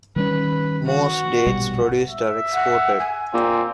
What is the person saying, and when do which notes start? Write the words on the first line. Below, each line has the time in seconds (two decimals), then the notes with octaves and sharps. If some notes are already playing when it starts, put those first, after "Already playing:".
Most dates produced are exported.
0.16 D#3 G3 C#4 B4
0.86 F#4
1.47 A#1 B2 G3
2.09 E5
2.53 F#5
2.99 G#5
3.34 A#2 C4